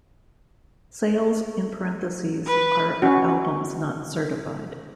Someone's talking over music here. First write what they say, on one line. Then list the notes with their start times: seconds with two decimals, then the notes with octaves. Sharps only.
Sales in parentheses are of albums not certified.
2.47 B4
3.02 C#4 F#4